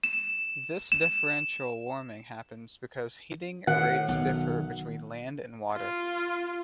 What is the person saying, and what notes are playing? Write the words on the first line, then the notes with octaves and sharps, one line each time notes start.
This differential warming happens because heating rates differ between land and water.
E7
E7
A2 D#3 F#5
B1
F4